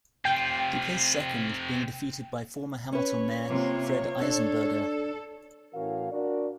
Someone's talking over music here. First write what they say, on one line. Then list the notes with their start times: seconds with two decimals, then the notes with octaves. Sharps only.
He placed second, being defeated by former Hamilton Mayor Fred Eisenberger.
0.25 C3 F4 G5
2.92 C#4 B4 C#5
3.47 C3 A#3 F4
4.21 D4 A4
5.74 A2 E3 C#4 F#4 A#4 F5
6.12 D4 F#4 A#4 D5